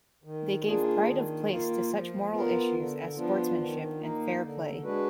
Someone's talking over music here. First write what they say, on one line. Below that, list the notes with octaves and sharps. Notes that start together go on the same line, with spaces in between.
They gave pride of place to such moral issues as sportsmanship and fair play.
D#3
A#3 D4 F4 G#4
D#3
A#3 F4
F3
B3 F4 A#4
D3
F3 B3 D4 F4
D#3
A#3 D#4
D3
G#3 D4 F#4 B4